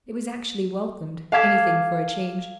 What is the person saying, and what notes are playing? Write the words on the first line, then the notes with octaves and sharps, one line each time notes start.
It was actually welcomed; anything for a change!
F5 A5 D6 E6 G#6 B6